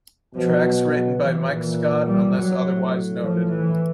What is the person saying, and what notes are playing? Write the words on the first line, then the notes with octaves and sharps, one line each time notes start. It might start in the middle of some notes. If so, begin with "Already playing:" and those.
Tracks written by Mike Scott, unless otherwise noted.
B2 F3
F#3
F#3
E3
A#2 E3
G3
F#3
A2
F3
E3